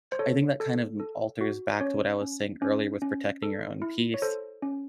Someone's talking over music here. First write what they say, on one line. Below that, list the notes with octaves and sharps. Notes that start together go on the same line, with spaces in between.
I think that kind of m alters back to what I was saying earlier, with protecting your own peace,
C5
A4 C#5
A4
A4
F#4
C#4 C#5
C#4
C#4
C#4
A4
E4
C#5
A4 C5
C#4